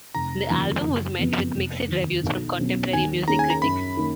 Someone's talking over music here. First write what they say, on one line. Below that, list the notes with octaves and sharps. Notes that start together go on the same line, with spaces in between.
The album was met with mixed reviews from contemporary music critics.
F1 A#5
D#2 C#3 F3 A#3
F#1
F2 F3 B3
F1
D#2 D#3
B1
B2 F#3 C#4
D#2 G#5
D#3 A#3 C#4 G#4 A#5
G#5
A#5
F#2 B5
D#3 A#3